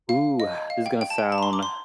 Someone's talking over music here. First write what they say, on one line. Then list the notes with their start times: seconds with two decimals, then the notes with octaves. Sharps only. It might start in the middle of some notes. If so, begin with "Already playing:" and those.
Ooh, ah, this is gonna sound
0.09 F5
0.40 D#5
0.70 F5
0.86 G5
1.01 G5
1.10 A5
1.18 G5
1.32 A5
1.38 A#5
1.43 C6
1.53 D6
1.63 C6